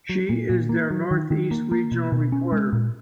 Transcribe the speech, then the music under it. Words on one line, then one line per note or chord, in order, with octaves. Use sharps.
She is their North East regional reporter.
F#3
A#2
A#2
A#3
F#3
D#3
D#3
A#3
A#3
B2
B2
C#4
G#3
A#2